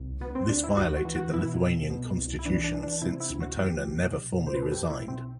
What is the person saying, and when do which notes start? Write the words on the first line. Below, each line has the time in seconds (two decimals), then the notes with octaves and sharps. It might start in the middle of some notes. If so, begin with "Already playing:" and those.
This violated the Lithuanian constitution, since Smetona never formally resigned.
Already playing: C2
0.21 D2 B3
0.35 C4
0.49 D2 D4
0.64 E4
0.77 D2 F#4
0.96 F#4
1.05 E3
1.15 F#4
1.34 B2 E4
1.61 C2
1.90 B2
2.18 C2
2.39 E4
2.45 E3 D4
2.64 D4
2.74 E3
2.83 D4
3.02 C3 E4
3.20 E4
3.30 D2
3.40 F#4
3.59 E3 G4
3.86 B1
4.15 B1
4.43 B1 C5
4.55 B4
4.62 A4
4.71 B1 G4
4.90 E4
4.99 B1
5.08 C4